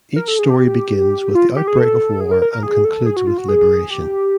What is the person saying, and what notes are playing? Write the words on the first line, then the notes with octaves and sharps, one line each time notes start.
Each story begins with the outbreak of war and concludes with liberation.
A#4
A4
G#4
G4
F4
G4
G#4
A4
G#4
A#4
A#4
A#4
G#4
A4
G#4
F#4
F4
F#4
G#4
G4